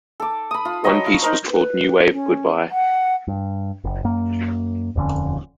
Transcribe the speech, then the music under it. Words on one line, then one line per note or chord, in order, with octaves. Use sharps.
One piece was called "New Wave Goodbye".
A4 D6
B5 D#6
F4
F#3 C#5 D#5 C#6
F4
D#4 A#4 C5
B4
C#4
F#5
G2
F#1
F#2 A#3
D#1 F2 D3 C#4